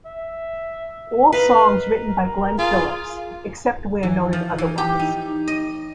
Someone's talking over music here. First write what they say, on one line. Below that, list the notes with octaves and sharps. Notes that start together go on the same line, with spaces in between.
All songs written by Glen Phillips, except where noted otherwise.
E5
A#4 B4 D#5 F5
F4 G#4 D6
E3
F3
E3
G4
D#4
D#5